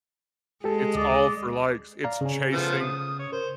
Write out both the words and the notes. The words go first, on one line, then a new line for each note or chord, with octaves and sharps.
It's all for, likes, it's chasing
G#3 G4 A4
D2 D5 D#5
D5 F5 A#5
C#3 C#4
F3 A3 B3
D#6
C#5
A#4 C5